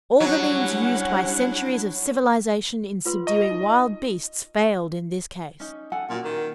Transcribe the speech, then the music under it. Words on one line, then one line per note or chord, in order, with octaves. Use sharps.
All the means used by centuries of civilization in subduing wild beasts failed in this case.
F#3 G3 C#4 D4 E4 F#5
F4 B4 C6
D#5 A#5 C#6
D#4
C#4 D#4
A4 F#5 G#5
A#2 C#4 E4 F#4
D#3